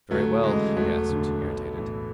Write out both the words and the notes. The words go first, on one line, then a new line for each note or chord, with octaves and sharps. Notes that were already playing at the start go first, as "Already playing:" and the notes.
"Very well," I gasped, irritated.
D2 F#3 A3
C#3 E3 G#3
E1 F#3 A3
D2 D3
B1
A2 E3